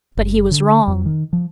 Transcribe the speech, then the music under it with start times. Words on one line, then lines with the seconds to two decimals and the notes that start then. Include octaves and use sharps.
But he was wrong.
0.17 F#1
0.51 D3
0.87 F2
1.06 D#3
1.33 F3